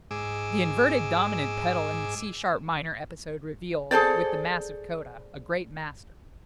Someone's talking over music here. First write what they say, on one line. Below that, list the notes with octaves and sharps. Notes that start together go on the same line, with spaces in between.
The inverted dominant pedal in the C sharp minor episode reveals, with the massive coda, a great master.
G#2 G#4 D6 E6
G#4 A4 C5 D5